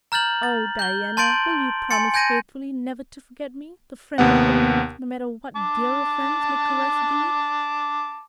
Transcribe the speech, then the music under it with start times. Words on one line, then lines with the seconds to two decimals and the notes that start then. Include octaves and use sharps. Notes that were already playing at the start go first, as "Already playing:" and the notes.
"Oh, Diana, will you promise faithfully never to forget me, the friend of your youth, no matter what dearer friends may caress thee?"
0.12 A#5 F6 G6 A6 F#7
0.43 A6
0.79 G6 G7
1.17 A5 C6 G6 A6 D7 F#7
1.91 G#5 C6 A6 C#7
2.14 G#5 G6 G#6 A#6 D#7
4.18 D#2 C3 B3 F#5
5.56 A5 D6